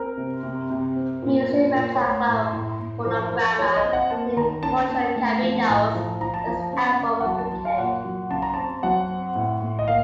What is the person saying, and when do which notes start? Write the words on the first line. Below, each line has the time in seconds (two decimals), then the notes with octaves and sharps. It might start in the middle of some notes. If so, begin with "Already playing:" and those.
Music website Club Fonograma named Cuatro Caminos best album of the decade.
Already playing: C4 A#4
0.17 C3
0.43 C3
0.70 C3
0.96 C4
1.22 A#2
1.48 A#2
1.75 A#2
1.95 C#5
2.01 A3 C5
2.27 A2
2.53 A2
2.80 A2
3.06 F3 C5
3.24 A#4
3.32 F3
3.59 F3 C#5
3.76 D#5
3.84 C4
3.93 F#5
4.10 A#3 A5
4.37 D#3 A#5
4.63 C#4 A5
4.89 C#4
5.16 A3
5.43 F3
5.68 A2 A#5
5.94 F3
6.20 F3 A#5
6.34 A5
6.47 F3 A#5
6.73 C#4
6.99 C#3
7.20 F#5
7.25 F#3 A5
7.38 A5
7.51 F#3 A5
7.65 F5
7.78 A#2 F#5
8.05 F#3
8.30 C#3 A5
8.42 A#5
8.54 C4 A5
8.83 F#3 F#5
9.09 C4
9.35 A2
9.62 A2
9.79 D#5
9.88 A#3 F5